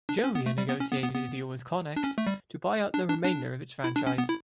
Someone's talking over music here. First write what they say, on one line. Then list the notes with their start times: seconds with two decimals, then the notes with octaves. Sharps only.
Govia negotiated a deal with Connex to buy out the remainder of its franchise.
0.09 D4
0.24 C#4
0.35 B3
0.46 A3
0.58 G3
0.69 B3
0.80 C#4
0.91 B3
1.03 B3
1.14 B3
1.96 D4
2.04 C#4
2.18 A3
2.27 G3
2.94 D4
3.09 D4
3.24 D4
3.84 E4
3.96 D4
4.07 C#4
4.18 B3
4.29 E4